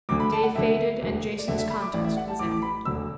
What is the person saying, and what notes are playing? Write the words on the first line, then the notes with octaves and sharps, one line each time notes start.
Day faded, and Jason's contest was ended.
D2 D3 D6
B5
A5
F#5
D2 D3 E5
E1 D2 D3
D5
E1 D2 D3 E5
E5
B5
D6
A1 A2 E3 D5
E5
F#5
A5
A1 A2 E3 D6
D6
B5
E1 D2 D3 E6